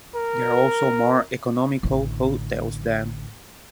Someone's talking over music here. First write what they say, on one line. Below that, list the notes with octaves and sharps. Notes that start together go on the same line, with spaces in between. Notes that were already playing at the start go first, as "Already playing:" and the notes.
There are also more economical hotels there.
A#4
A1 D3